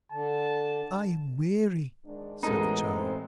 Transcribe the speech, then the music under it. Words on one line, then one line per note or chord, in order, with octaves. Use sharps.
"I am weary," said the child.
D3 A5
G#2 D#3 D4
A1 C#3 G#3 B3 D#4 A4 A#4
A3 C4